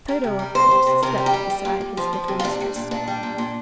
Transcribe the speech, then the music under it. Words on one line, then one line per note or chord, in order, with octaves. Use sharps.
Toto, of course, slept beside his little mistress.
G3 A#4
C3
G3
C3 C5
C3
C3
C3 A#4
G3
G4
G3
G3
A#2
A#2
F3
F3
C3
F4
A#2 D4
G3
A#2
A#2 D4
G3
A#2
A#2